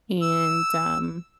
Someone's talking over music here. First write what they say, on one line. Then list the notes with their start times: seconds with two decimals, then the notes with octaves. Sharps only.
and, um
0.21 E6